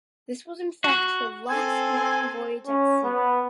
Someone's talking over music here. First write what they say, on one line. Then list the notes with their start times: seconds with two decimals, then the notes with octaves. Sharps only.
This was in fact her last long voyage at sea.
0.84 F#4
1.50 C4 A4 G#5
2.67 C#4
3.04 B3